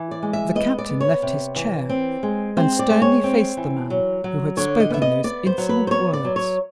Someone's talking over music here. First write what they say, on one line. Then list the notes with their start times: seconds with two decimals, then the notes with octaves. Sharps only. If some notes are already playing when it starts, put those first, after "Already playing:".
The Captain left his chair, and sternly faced the man who had spoken those insolent words.
Already playing: E3
0.11 D5
0.23 G#3
0.33 E5
0.55 B3 D#5
0.78 D5
0.89 B3
1.01 C#5
1.23 C3
1.56 E3
1.89 C4
2.23 G#3
2.57 C4 C5
2.79 D5
2.90 G#3
3.02 C#5
3.24 C4
3.57 E3
3.90 F#3
4.24 F#3
4.57 D3 C#5
4.80 D#5
4.90 B3 E5
5.02 D#5
5.24 B3 D5
5.46 C5
5.58 F#3
5.69 B4
5.87 C5
5.91 B3 C#5
6.13 D5
6.25 F#3
6.36 C#5